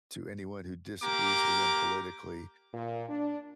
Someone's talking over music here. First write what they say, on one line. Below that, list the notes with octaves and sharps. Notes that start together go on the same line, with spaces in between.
to anyone who disagrees with them politically,
A#3 G4 A#5 D6
A#2
D4